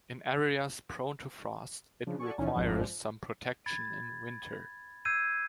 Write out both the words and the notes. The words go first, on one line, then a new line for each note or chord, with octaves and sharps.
In areas prone to frost, it requires some protection in winter.
C#3 F3 D4
F#4 A4 D5 G#5 C#6
C#2 A#2 D#3 E3 A3 C#4
G#1 F2 G#2 F3 D4
B5 G#6 A6
E6 G6 G#6 C7 D#7